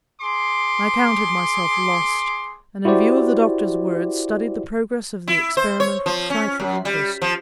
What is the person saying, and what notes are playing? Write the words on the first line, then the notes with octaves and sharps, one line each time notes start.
I counted myself lost, and in view of the doctor's words, studied the progress of the experiment with frightful interest.
G#4 C6 D6
E4 F#4 G4 C5 D5
E4
C5
C#5
F3
C#4
F#2
G3
F3